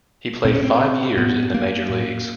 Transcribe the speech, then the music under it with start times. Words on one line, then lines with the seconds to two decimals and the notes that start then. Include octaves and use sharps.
He played five years in the major leagues.
0.45 A#2 C4
0.53 C#4
0.62 C4
1.17 A2 B3
1.54 A#3
1.90 A2